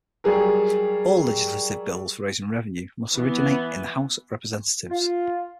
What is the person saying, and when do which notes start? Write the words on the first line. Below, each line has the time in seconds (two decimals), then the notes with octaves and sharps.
All legislative bills for raising revenue must originate in the House of Representatives.
0.24 F#3 G3 G#4 A#4
3.14 E3 B3
4.90 F4